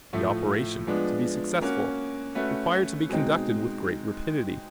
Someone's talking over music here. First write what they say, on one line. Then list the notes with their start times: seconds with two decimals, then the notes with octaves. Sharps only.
The operation, to be successful, required to be conducted with great rapidity.
0.13 A2 F3 A3
0.87 F3 G#3 B3 D4
1.61 A#3 C#4 F#4
2.35 A3 C#4 F#4 B4
3.09 B2 G#3 C4 D#4